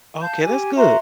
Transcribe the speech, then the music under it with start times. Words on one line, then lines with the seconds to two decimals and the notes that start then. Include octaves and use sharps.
Okay, that's good.
0.21 F5 A5 G6
0.43 G4 G#5
0.77 F#4 E5 A#5 C6